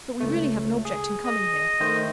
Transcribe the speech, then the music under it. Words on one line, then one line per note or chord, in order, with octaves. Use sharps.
But we really have an object in coming here.
C#2 A3
G#4
D#5
D#3 A3 C5